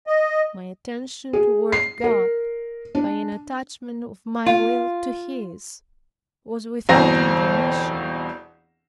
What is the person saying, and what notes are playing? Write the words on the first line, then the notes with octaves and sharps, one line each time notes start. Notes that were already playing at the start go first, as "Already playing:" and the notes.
My attention toward God, by an attachment of my will to His, was without intermission.
D#5
G#4
C7
A#4
D4
F4
G1 E2 B2 C4 A#5 A#6